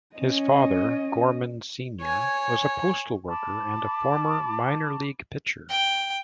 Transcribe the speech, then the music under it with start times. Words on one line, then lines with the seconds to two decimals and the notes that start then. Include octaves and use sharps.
His father, Gorman Senior, was a postal worker and a former minor league pitcher.
0.16 C#4 D#5
2.01 C#5 G#5
3.28 A5 B5 D6
5.69 G5